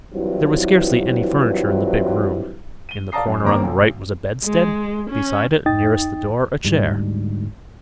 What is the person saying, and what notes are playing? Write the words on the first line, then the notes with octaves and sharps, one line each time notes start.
There was scarcely any furniture in the big room: in the corner on the right was a bedstead, beside it, nearest the door, a chair.
G2 E3 F#3 C4 E4 F4
D#7 G7
D5 F5 A5 A#5 D#6 C7
F#2
F#1 D#3 A#3 C4 A#5 D6
B1
G#3
C#4
F2 D#4 G5 D#6 A6
D2 G#2 G3 G#3